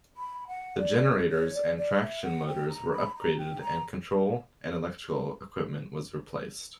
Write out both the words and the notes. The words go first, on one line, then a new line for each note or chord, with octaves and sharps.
The generators and traction motors were upgraded and control and electrical equipment was replaced.
B5
F#5
D5
C#5
D5
D5
E5
F#5
G5
A#5
B5
A#5
G5
A#5